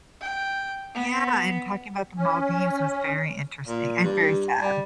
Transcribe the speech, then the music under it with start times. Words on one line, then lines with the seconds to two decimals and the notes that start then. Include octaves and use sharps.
Yeah, and talking about The Maldives was very interesting and very sad.
0.20 G5
0.94 B3
2.17 C#4
3.67 A#2
4.03 G2
4.61 G3